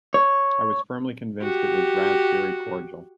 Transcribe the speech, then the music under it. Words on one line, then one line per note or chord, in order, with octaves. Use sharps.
I was firmly convinced it was raspberry cordial.
C#5
F#4 G4